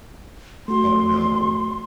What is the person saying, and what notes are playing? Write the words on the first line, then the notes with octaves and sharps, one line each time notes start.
Oh, no.
A3 F#4 C6